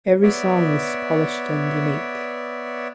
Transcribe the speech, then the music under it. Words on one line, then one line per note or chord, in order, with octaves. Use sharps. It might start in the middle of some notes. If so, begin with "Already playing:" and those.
Every song is polished and unique.
B3 C#5 D5 E5